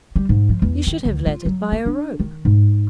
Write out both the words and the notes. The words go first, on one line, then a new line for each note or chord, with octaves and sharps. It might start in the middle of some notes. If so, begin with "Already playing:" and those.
You should have led it by a rope.'
G3
G#2
F3
E2
D#3
D2
F4
F#3
A#3
D4
D#3
G#2